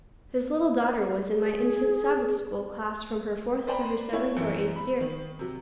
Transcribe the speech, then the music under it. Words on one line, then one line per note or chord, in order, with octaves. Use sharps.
His little daughter was in my infant Sabbath-school class from her fourth to her seventh or eighth year.
G#4
B4 C5 D5 G5 A#5 B5
A3 C4 E4 F4 C#5
F#2 E3 A3 C4
B5
D#3
C3 F#3